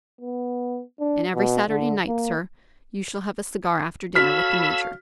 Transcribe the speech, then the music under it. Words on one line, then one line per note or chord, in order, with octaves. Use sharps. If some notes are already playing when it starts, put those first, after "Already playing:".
And every Saturday night, sir, you shall have a cigar after dinner, with the Major.
B3
D4
B2
D3
A#3
F#4 A4 C#5 F5 B5 E6 F6 B6